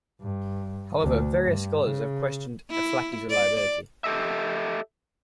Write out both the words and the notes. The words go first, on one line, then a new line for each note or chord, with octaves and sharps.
However, various scholars have questioned Aflaki's reliability.
G2
D2
G2
C#3
E4
D5
G4 A4 D#5 E5